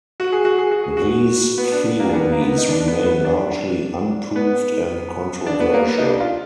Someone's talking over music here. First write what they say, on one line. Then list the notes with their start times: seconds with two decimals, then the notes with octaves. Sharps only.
These theories remain largely unproved and controversial.
0.20 F#4
0.32 G#4
0.45 F#4
0.58 G#4
0.71 F#4
0.84 G#4
0.97 F#4
1.58 B3
1.72 D4
1.86 B3
2.00 A#3
2.09 D4
2.14 B3
2.32 A#3
2.42 B3
2.58 D#4
2.69 D4
2.81 D4
2.88 B3
3.06 B3
3.25 D4
4.36 B3
5.46 D4
5.60 B3
5.74 A#3
5.88 B3
5.98 D#4
6.02 D4
6.20 F4